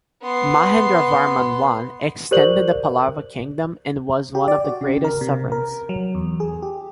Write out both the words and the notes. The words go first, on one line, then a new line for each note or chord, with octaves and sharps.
Mahendravarman I extended the Pallava Kingdom and was one of the greatest sovereigns.
B3 C6
G4 A#4 C5 D5 F#7
G4
D5
F#4
C#3
A#4
C3
A#4
F#3
E2
G#4
G4